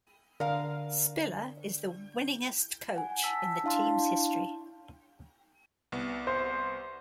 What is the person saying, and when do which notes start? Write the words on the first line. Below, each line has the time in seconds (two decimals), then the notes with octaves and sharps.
Spiller is the winningest coach in the team's history.
0.40 D3 A#4 F5
2.96 F#5 G#5
3.23 A5 E6 B6
3.64 D4 E4 F5 A5 C6
5.92 C2 B3
6.27 C5